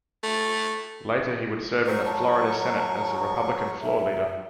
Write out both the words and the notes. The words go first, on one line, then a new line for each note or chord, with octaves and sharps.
Later he would serve in the Florida Senate as the Republican Floor Leader.
A3
F#3 A#4 C5 C#6
A5
E5